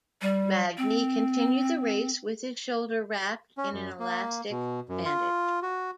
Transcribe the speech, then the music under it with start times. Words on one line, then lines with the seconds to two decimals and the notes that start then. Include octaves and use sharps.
Magni continued the race with his shoulder wrapped in an elastic bandage.
0.22 G3
0.78 C4
3.57 C#4
3.73 F#2
4.00 A#3
4.51 B2
4.89 F#2
5.05 F4
5.62 F#4